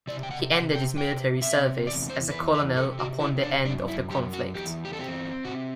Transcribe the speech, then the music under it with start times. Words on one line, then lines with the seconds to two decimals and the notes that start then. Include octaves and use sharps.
He ended his military service as a colonel upon the end of the conflict.
0.07 C3 D5
0.23 G5
0.31 F#5
0.52 C3 F#5
0.75 G5
0.97 C3 G5
1.42 C3 E5
1.87 E2 D5
2.10 C5
2.31 E2 B4
2.54 B4
2.77 C3 A4
2.99 F#4
3.21 C3 E4
3.43 D4
3.65 F#2 D4
3.88 E4
4.10 F#2 G4
4.33 F#4
4.55 E2 G4
4.85 G4
4.93 A4
4.99 C4 G4
5.44 C3 F#4